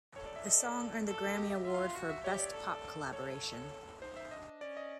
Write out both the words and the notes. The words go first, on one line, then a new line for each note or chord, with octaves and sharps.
The song earned the Grammy Award for "Best Pop Collaboration".
A4 C#5
D5
E5
A4 D#5
D5
A4
G4 D#5
E5
F4 E5
F5
F5
F#4
E5
G4 C#5
D5
A4
A4 C#5
D#4 C5
E5
D4 D#5
C#4 D5
D#5